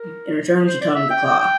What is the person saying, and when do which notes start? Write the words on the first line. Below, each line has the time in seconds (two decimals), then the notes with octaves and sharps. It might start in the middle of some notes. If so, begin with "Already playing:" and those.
In return, she taught him the 'Claw'.
Already playing: A#4
0.67 C5
0.81 D5
0.96 E5
1.10 G5
1.25 G5
1.39 G5